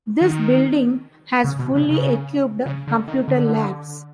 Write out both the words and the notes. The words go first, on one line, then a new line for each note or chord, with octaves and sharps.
This building has fully equipped computer labs.
D#3
C#3
B2
C#3
C#3
C#3
D3
D#3
D3